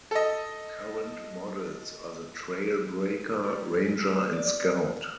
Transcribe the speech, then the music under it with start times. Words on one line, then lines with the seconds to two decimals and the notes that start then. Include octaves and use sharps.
Current models are the Trail-Breaker, Ranger and Scout.
0.11 A4 D#5
3.43 G3
3.85 G#4
4.33 D5